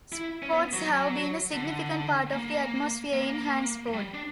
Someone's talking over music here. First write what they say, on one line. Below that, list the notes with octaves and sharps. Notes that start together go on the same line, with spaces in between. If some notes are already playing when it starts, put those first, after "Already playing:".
Sports have been a significant part of the atmosphere in Hantsport.
E4
C#4
B3
F#3
D3
A#3
A#3
G3
D4